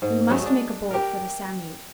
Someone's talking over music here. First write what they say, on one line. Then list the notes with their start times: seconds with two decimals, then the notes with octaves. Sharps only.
We must make a bolt for the Psammead.
0.02 G#2
0.29 F#3 G#3 A3
0.42 G#3 D4
0.91 G4 A#4